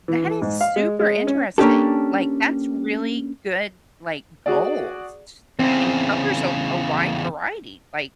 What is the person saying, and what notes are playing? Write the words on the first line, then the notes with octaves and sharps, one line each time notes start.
That is super interesting. Like, that's really good, like, goals ts and covers a a wide variety, like,
E3
E3
G#2
F5
G#3
G#3
C#4
A#3 C#4 D4 G4 A4
F#4 G#4 D5
E2 C#3 C4